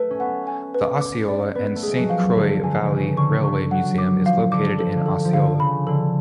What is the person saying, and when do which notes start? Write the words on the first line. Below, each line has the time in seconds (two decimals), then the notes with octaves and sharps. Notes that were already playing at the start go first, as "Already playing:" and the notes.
The Osceola and Saint Croix Valley Railway Museum is located in Osceola.
Already playing: A3 B4
0.11 C#4
0.20 B3 F#5
0.47 G#5
0.74 B4
1.01 D6
1.28 D5
1.55 B3 B4
1.76 A3
1.83 G#3 G#4
1.98 F#3
2.09 F3 F5
2.36 D3 G#4
2.63 D3 G#5
2.83 D3
2.90 C#3 B4
3.17 D3 C#6
3.44 C#6
3.71 F#3 F#5
3.98 D6
4.25 F3 F5
4.52 D3 D6
4.79 F3 A4
4.97 D3
5.06 A4
5.25 F3
5.33 D3 F5
5.60 C#3 B5
5.87 D3 A4